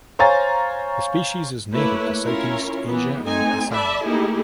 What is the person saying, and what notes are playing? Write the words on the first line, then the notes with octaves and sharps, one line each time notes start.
The species is native to Southeast Asia and Assam.
C5 C#5 F5 G#5 A#5 A6
A3 A#3 E4 B4 C#5
C#4 E4 F4 A#4 C#5
E3 B3
A3 C4 D#4 G#5
D5 E5 A5 B5
A3 A#3 D#4 E4 G4 G#4